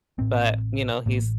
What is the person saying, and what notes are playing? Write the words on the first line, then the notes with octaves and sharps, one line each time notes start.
But you know, he's
A1 A2 C4
A1 A2 A#3